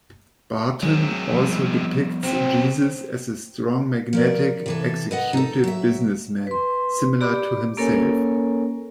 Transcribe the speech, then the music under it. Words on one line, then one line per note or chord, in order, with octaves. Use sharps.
Barton also depicts Jesus as a "strong magnetic" executive businessman, similar to himself.
F#3 G#3 C4
F3 G3 B3
C3 F#3 C4
F3 A#4 D5
C3 E3 A4
B4 D#5 F#5
D#4 A4
F#3 E5
B4 C6
G4 D5 B5 D6
A#3 C#4 A4 A#4 C#5 G#5